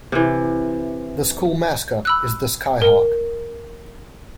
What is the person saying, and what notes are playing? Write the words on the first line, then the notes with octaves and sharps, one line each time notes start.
The school mascot is the Skyhawk.
C3 E3
B5 E6 F#6
A#4